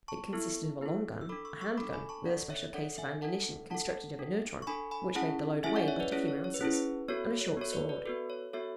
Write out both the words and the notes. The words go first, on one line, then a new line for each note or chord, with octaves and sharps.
It consisted of a long-gun, a hand-gun, with a special case of ammunition constructed of inertron, which made the load weigh but a few ounces, and a short sword.
A5 C#6
B3 E4 A4
B3 E4 A4
E6
D4 A4 B5 D6
C#6 E6
C#6 E6
D4 A4 B5 D6
G#5 B5
A5 C#6
D4 A4 D5 F#5
C#5 E5
D4 A4 D5 F#5
E5 G#5
D4 A4 F#5 A5
D4 A4 F#5 A5
D4 A4
C#6
D4 A4 G#5 B5
G#5 B5
C#4 E4 G#4 F#5 A5
C#4 E4 G#4 E5 G#5
D5 F#5
C#5 E5
B4 D5
C#4 E4 G#4 C#5
C#5
C#5
B4
C#4 E4 G#4
B4
B3 F#4 A4 C#5
C#5
B3 F#4 A4 C#5
B4 D5
B4 D5
B3 F#4 A4 B4
C#5
B3 F#4 A4 C#5 E5